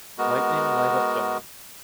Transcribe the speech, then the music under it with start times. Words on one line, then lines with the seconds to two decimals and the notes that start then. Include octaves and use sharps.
Lightning light up dawn.
0.18 G#3 B3 F#4 A#4